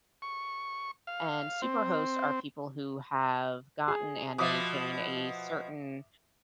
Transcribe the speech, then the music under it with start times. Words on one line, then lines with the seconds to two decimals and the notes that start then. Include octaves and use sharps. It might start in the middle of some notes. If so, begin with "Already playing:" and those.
and super hosts are people who have gotten and maintain a certain,
0.22 C#6
1.07 F5
1.62 C4
3.88 G#4
4.38 B2 F3 E5 D6 D#6